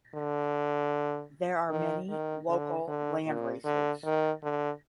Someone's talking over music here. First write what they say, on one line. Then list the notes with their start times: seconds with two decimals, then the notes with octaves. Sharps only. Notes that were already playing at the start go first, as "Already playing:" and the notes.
There are many local landraces.
0.14 D3
1.70 D#3
2.09 D#3
2.48 D3
2.87 D3
3.26 A#2
3.65 D3
4.04 D#3
4.43 D3